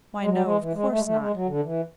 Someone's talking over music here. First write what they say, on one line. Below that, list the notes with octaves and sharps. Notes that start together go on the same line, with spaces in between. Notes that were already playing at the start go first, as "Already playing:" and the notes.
'Why no, of course not.'
G#3
F#3
G#3
E3
G#3
A3
G#3
A3
G#3
F#3
D3
E3